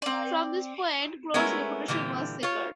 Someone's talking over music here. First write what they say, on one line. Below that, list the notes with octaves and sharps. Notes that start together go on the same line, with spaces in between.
From this point, Claude's reputation was secured.
C4 D5
G#3 A3 B3 C#4 E4 A#4
A#2 D3 E3 G3
F4 C#5